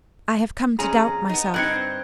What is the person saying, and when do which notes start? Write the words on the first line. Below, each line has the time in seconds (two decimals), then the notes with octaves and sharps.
I have come to doubt myself.
0.79 F2 C#4 G#4 A#5
1.29 B3 D#4
1.54 G2 C4 D#4 F#6 G#6 C#7